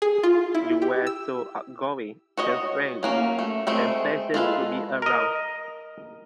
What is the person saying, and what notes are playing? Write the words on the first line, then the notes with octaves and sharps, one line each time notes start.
You were so outgoing and friendly and pleasant to be around.
G#4
F4
E4
G4
E6
F#4 C#5 D#5
F#3 A#3 C#4
A3
G#3 A3 C4
G#3 F4 A4 B4
A#4 D#5